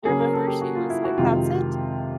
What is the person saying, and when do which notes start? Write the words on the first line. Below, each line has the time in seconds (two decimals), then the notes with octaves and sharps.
I remember she was like, "That's it.
0.05 C#3 F#3 A#3 C#4 G#4
0.20 A#4
0.33 A4
0.47 G4
0.61 F#4
0.75 F4
0.90 E4
1.04 F#4
1.17 F2 C3 D#3 G#3 F4